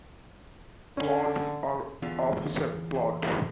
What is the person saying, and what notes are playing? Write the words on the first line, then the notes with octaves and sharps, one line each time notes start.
Plod or Officer Plod.
D3 C#4
E2 D3 F4